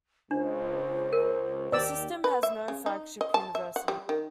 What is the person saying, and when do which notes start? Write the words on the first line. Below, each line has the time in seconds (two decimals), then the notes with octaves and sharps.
The system has no flagship university.
0.31 C#2 D4 C5
1.13 A#4
1.72 D#2 G4 D5 E6
2.24 B4
2.43 E5
2.68 C#3
2.86 D#4
3.21 D#5
3.34 A5
3.55 E5
3.76 F#5
3.88 G3
4.09 D#3